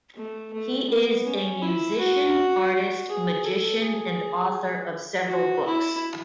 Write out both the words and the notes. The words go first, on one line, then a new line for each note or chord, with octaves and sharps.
He is a musician, artist, magician and author of several books.
A3
A3
B3
C#4
E4
F#4
G#4
A4
G#4
F#4
E4